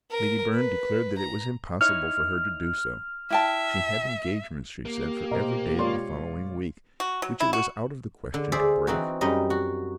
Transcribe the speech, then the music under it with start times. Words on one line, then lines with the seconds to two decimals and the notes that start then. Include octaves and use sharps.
Lady Byrne declared that it was impossible for her to do so: she had engagements, she said, for every day of the following week, which it was out of the question to break.
0.11 A#4
0.54 B4
1.18 A#5
1.81 D#4 E4 C#5 F6
3.30 E4 E5 G5 A5
4.85 A#3 G4
5.31 B2 A#4 C5 D#5
5.79 G#3 F4 C#5 D5 C6
7.00 F#4
7.22 F#3
7.40 E4
7.53 F#4
8.34 D3
8.52 G#4 C5 D5 E5
8.87 E3 C4 D#4 F#4
9.21 F#2 G3 D#4 D#5
9.50 F#4